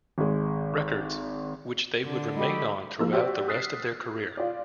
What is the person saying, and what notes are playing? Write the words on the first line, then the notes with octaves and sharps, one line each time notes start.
Records, which they would remain on throughout the rest of their career.
G#1 G#3
D3
G#3 F#4 G4 A4 D#5 G5 B5
F3 A#3 E6
F#4 G4 C5 D5
D#6 F6 F#6 A6 B6 C7
F4 D5